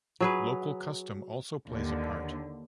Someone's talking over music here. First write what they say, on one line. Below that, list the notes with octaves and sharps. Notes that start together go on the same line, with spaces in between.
Local custom also plays a part.
F#3 G#4 B4
D#2 D3